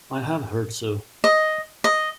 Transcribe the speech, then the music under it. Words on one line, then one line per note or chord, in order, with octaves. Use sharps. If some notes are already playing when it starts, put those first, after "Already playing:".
I have heard so.
D#5
D#5